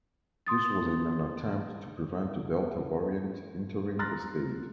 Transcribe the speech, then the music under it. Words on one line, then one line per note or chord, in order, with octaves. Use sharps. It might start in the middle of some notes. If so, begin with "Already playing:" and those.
This was in an attempt to prevent the delta variant entering the state.
C6 D#6 A6
A#5 C6 F6 F#6 A6 A#6